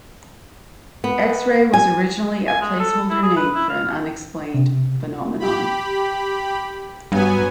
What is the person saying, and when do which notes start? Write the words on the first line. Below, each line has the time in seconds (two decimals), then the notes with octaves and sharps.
"X-ray" was originally a placeholder name for an unexplained phenomenon.
1.04 B3
1.74 G#5
2.48 G#5
2.62 G#3
2.80 A4
3.10 E4
3.23 G#4
3.37 B4
3.54 E4
3.69 F5
4.54 C3
5.39 G4 B5
7.12 G2 F#3 B3 G#5